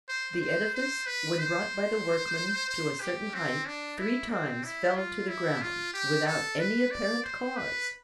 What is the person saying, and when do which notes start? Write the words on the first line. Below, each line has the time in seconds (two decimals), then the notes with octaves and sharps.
The edifice, when brought by the workmen to a certain height, three times fell to the ground, without any apparent cause.
0.09 C5
0.41 C5
0.74 C5
1.06 B4
1.39 C5
2.69 C5
3.01 G4
3.35 C4
3.66 D4
3.98 E4
4.31 C4
4.64 E4
4.96 F4
5.28 E4
5.62 F4
5.94 G4
6.26 A4
6.59 B4
6.91 D5
7.24 C5
7.57 B4